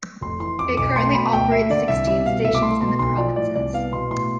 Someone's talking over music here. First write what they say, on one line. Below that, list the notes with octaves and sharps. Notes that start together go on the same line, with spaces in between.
It currently operates sixteen stations in the provinces.
F1 C6
E3 C6
F2 D6
B1 D6
A3 C6
B2 B5
D2 G5
A3 E5
D3 D5
C2 E5
G3 E5
B2 F5
C2 E5
D6
A3 C6
B2 C6
B1 C6
F3 D5
A2 D5
C2 D5
B3 F5
B2 C6
A2 C6